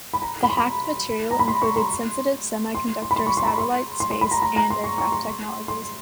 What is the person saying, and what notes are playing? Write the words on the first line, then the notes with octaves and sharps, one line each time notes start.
The hacked material included "sensitive semiconductor, satellite, space, and aircraft technologies".
B5
A#5
B5
C6
B5
A#5
B5
C6
C#6
C6
C6
C6
B5
C6
C#6
C6
A#5
B5
C6
C6
C6
B5
A#5
A#5
A#5
C6
C#6
C#6
C6
C6